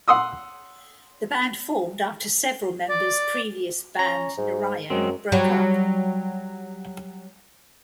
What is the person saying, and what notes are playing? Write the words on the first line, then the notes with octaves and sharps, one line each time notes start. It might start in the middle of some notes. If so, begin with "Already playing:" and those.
The band formed after several members previous band Narayan broke up.
F#5 C6 D#6 E6
D5
C#4 A#5
G#2
F#2 F#3 G#3 C4
F#3 G3